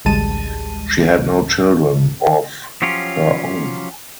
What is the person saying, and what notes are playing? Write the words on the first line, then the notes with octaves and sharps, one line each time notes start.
She had no children of her own.
A1 D2 G3 G#3 A5 D#7
F3 F#3 C#4 F4 G4